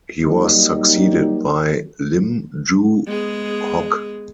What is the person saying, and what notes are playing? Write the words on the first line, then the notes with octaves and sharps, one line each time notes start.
He was succeeded by Lim Yew Hock.
F#3 G3 A#3 D#4
G#3 B3 G#4